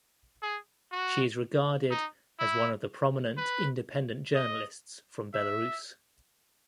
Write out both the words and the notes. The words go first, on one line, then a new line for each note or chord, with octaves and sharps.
She is regarded as one of the prominent independent journalists from Belarus.
G#4
F#4
D#4
E4
B4
D#5
E5